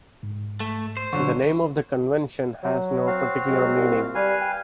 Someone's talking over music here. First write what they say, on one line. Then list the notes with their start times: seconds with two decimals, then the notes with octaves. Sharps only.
The name of the convention has no particular meaning.
0.23 G#2
0.60 A3
0.97 C5
1.13 D3 F#3 C#6
2.63 F#3
3.07 C4 F#4 F5
3.49 F#3 G#3
3.76 C2
4.15 G3 B4 F5 G#5
4.41 G5